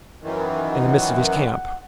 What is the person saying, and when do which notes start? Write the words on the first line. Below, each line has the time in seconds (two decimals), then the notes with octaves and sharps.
"In the midst of his camp."
0.22 F#2 D#3 E3
0.74 F#5